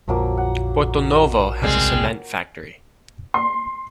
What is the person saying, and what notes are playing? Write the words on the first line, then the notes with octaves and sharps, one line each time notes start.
Porto-Novo has a cement factory.
A#1 F2 A#2 F3 F#3 A#3
F#5
F1 C#2 C3 G3 G#3 C4
C6